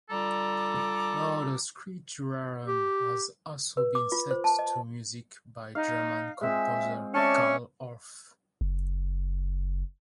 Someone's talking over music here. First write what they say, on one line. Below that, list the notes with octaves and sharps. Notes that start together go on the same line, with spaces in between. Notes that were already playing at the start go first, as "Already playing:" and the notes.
Laudes Creaturarum has also been set to music by German composer Carl Orff.
D3 G3 F4 A4 A#5 D6
G4
B4
D6
F4
C5
A5
D#5
D#4 F5
G#3 C4 F4 E5
C#4 D4 D#5 E5 A5 C#6
F#1